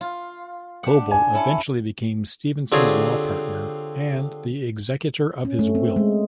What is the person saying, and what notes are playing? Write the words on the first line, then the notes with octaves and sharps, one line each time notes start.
Goebel eventually became Stevenson's law partner and the executor of his will.
F4
D4 G4 F#5
G#5
C#4 E4 A4
D3 C4 F4 G4 G#4 C#5
C#4
A3
C4
G#3